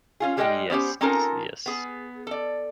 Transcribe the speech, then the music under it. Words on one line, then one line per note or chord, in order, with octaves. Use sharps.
Yes, yes.
C#4 F4 G#4
G3 G#3 G#4 B4 D#5 G5
B3 C#4 G4 C5
C4 C#4 D#4 F4 A4 A#4
B3 G#4
A4 D5